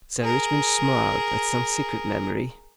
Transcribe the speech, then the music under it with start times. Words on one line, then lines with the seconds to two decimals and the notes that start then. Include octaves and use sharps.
Sir Richmond smiled at some secret memory.
0.21 G#4 A#4